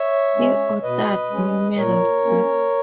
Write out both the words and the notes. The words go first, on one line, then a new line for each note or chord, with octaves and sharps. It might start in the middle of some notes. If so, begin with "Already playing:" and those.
He authored numerous books.
Already playing: C#5 E5
G#3 C#4
B2 B4 D#5
G#3 C#4
D#5
A#2 A#4 C#5
A#3 C#4